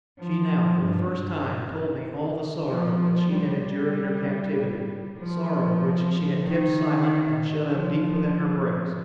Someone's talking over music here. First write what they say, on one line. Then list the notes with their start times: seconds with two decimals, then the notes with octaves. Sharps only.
She now for the first time told me all the sorrow that she had endured in her captivity--sorrow which she had kept silent and shut up deep within her breast.
0.19 F3
0.80 G2
2.68 F3
3.30 G3
5.17 F3
6.43 D#3
7.68 F3